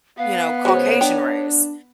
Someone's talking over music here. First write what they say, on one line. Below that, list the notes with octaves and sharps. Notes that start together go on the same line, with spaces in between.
you know, Caucasian race,
B3 F5
C#3 G#3 F#4 C5 C#5
D4 G5